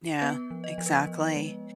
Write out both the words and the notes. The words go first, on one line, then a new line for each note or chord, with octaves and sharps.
Yeah, exactly.
B3 B4
F3
D#5
F3
B4
F3
G#3